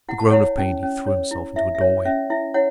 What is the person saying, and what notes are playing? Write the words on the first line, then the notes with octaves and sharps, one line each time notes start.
With a groan of pain he threw himself into a doorway.
E4 F#5
A5
E4 C#5 F#5
C#4
C#4
C#5
E4
E4 E5
E5
C#5
C#4 E5
E4 E5
E4 C#5 F#5